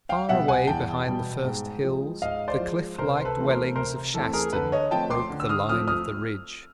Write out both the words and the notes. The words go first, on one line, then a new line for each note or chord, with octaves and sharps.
Far away behind the first hills the cliff-like dwellings of Shaston broke the line of the ridge.
F5 G5
B2 G3 B3 E5 F#5
F#5 G#5
E2 G5 A5
B2 G3 B3
G#2
F3 G#3
G#2 D#5 F5
C5 D5
F3 G#3
C3 A#4 C5
C5
A4 B4
E3 A3 C4
A#4 C5
C3 A#4 C5
E3 A3 C4 A4
G#4 A#4
D3 A4 B4
C#5 D#5
F3 A3 C4 G5 A5
C6 D6
D3
E6
D#6 F6
F3 A3 C4 D#6 F6
D#6 F6